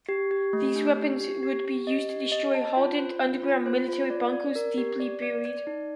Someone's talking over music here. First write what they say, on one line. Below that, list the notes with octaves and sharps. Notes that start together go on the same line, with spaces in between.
These weapons would be used to destroy hardened, underground military bunkers deeply buried.
G4
G4
A3
D4
G4
G4
G4
G4
D#5
G4
D#5
A5
F4
C5
F4
F4
C5
F4
D5
D5
A#4
G4
D5
D5
D5
D#4